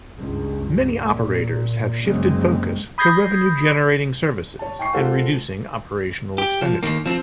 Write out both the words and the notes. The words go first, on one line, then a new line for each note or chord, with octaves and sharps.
Many operators have shifted focus to revenue generating services and reducing operational expenditure.
C#2 G2
A#2
F#1 C#3 F#3 G#3 A#3 C4
B5 D#6 G6 G#6 A#6 C7
C#5 A5
G5 G#5 C#6 C7
G#3 F4 A4 C5 F5 F#5
G4
F3
D#3 A#3
F3 C4